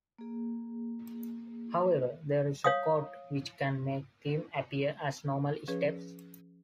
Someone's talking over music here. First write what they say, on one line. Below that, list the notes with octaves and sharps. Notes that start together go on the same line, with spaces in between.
However, there is a code which can make them appear as normal steps.
A#3 G#4
C#5 F5 D#6
F3 C#4 G#4 B4 C#5